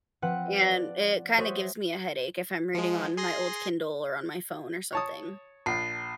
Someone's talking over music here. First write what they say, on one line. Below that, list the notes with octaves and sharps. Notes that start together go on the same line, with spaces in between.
and it kinda gives me a headache if I'm reading on my old Kindle, or on my phone, or something.
F3 C4 B4 F#5
D5
F#4 G#4 C5 C#5 E5
F3 G#3
G#4 C6 A#6
C#5 A5 D#6
A#1 A5 C7